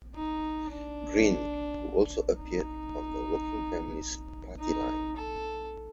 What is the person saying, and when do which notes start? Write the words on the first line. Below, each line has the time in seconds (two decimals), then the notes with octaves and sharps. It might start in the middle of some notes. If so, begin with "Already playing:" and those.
Green, who also appeared on the Working Families Party line.
0.15 D#4
0.71 D4
2.37 D#4
4.60 D#4
5.16 A4